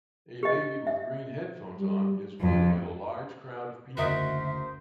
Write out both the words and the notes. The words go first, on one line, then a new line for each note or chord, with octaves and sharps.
A baby with green headphones on is waving at a large crowd of people.
G4 D#5
E5
G3
F2
F#1 D2 F#4 A#4 C5 D#5 E5 D7